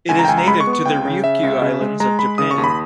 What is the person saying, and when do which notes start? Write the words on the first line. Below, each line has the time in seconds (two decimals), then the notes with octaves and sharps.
It is native to the Ryukyu Islands of Japan.
0.09 C#2 G#5
0.19 A#5
0.25 G5
0.28 C#2 G#5
0.38 A#5
0.47 G#3 B5
0.60 C#6
0.67 B3
0.73 C#6
0.86 C#2 G5
1.05 C#3
1.24 C#3 E5
1.43 C#2
1.62 C#3
1.81 G#3
2.00 G#3 A#5
2.19 G#3 B5
2.38 C#3 D#6
2.51 C#6
2.58 D#2
2.64 B5